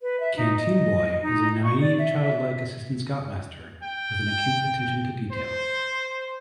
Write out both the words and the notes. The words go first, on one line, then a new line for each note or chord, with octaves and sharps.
Canteen Boy is a naive, childlike assistant scoutmaster with an acute attention to detail.
B4
E5
D#4
D#5
D#4
C#6
D5
E5
E5
G5
C5